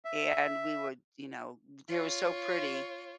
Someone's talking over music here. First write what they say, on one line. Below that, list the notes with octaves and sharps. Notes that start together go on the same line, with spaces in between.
and we would, you know, they were so pretty,
E5
F4 C#5